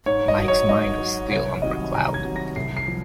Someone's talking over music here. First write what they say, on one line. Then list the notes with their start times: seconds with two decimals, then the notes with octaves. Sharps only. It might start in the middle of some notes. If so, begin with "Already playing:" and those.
Mike's mind was still under a cloud.
0.06 G#2 C#5
0.28 D#5
0.38 F#3
0.48 C#5
0.69 G#2 D#5
1.00 F#3
1.31 C2 C#5
1.62 C3 D#3 F#3 D#5
1.94 C2 A#5
2.14 G#6
2.25 C3 D#3 F#3
2.36 A#6
2.56 C2 C7
2.77 C7
2.88 F3